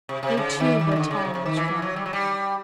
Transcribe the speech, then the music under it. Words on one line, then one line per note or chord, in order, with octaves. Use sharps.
They, too, were tall and strong.
C3
C3
C#3
D#3
D#3
C#3
D3
C#3
C3
C3
D#3
E3
E3
F#3
G3
F#3
G3